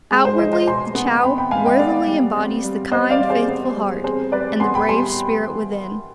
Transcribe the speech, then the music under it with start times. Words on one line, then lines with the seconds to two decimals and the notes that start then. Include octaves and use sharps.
Outwardly, the Chow worthily embodies the kind, faithful heart and the brave spirit within.
0.11 G#3 G#4
0.25 G#4 C5
0.39 F3 C5 D#5
0.53 C5 D#5
0.67 B2 G#5 C6
0.95 B3
1.23 C4 G5 B5
1.38 G5 B5
1.51 G#3 F5 G#5
1.65 D#5 G5
1.79 B3 D5 F5
2.07 G3
2.36 C4
2.64 G3
2.92 C4 C5 D#5
3.10 D5 F5
3.19 G3
3.29 G#4 C5
3.48 B3
3.77 G3
4.04 C4 G#4 C5
4.32 G3 B4 D5
4.60 B3 G#5 C6
4.75 G5 B5
4.88 G3 G#5 C6